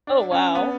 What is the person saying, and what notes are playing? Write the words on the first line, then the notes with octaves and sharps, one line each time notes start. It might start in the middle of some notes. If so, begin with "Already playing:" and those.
Oh, wow.
D4
C#4
B3